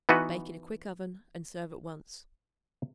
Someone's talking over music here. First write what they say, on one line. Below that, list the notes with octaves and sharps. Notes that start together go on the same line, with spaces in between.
Bake in a quick oven and serve at once.
E3 B3 D#4 F#4 B4